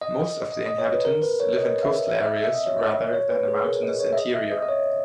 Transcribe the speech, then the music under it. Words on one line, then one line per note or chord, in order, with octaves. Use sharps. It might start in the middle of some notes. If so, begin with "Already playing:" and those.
Most of the inhabitants live in coastal areas rather than the mountainous interior.
D#5
D#5
D#5
C#5
B4
A#4
B4
C#5
D#5
E5
E5
E5
D#5
E5
D#5
C#5
D#5
C#5
B4
G#4
A#4
D#5
C#5
E5
D#5
E5
D#5
D#5
C#5